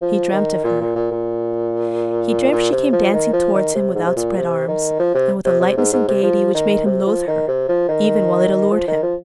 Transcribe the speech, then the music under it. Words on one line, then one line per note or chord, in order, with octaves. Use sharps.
He dreamt of her; he dreamt she came dancing towards him with outspread arms, and with a lightness and gaiety which made him loathe her, even while it allured him.
F3
D#3
A#2
A#2
A#2
A#2
A#2
C3
F3
D#3
F3
D#3
C3
G#2
C3
A#2
C3
D#3
F3
C3
C3
C3
G#2
G#2
C3
F3
D#3
C3
F3
D#3
C3
F3
D#3
F3
D#3
F3